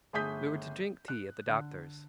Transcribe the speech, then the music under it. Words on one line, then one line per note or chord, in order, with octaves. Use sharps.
We were to drink tea at the Doctor's.
G1 A3 G#4 D#6 G6 B6
F#6
D3